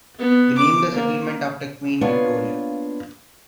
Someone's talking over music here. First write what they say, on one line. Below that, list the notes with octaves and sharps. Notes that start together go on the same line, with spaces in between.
They named the settlement after Queen Victoria.
B3
D6
A#3
A#3 B3 D4 F4 B4 C#5